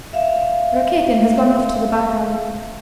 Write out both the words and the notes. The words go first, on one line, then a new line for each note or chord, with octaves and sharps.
Rakitin has gone off to the back alley.
E5 F5